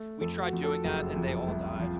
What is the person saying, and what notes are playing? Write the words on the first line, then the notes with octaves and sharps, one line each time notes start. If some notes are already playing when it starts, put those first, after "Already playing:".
We tried doing that and they all died.
Already playing: A3
F2 A4
F#4
F2
A4
F#1 F#4
F2
C2
F3